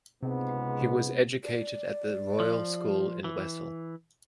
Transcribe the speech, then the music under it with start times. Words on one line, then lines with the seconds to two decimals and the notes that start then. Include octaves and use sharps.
He was educated at the Royal School in Wesel.
0.23 C#2 G#2 C3 B3
1.44 D5
2.40 F3
3.24 E3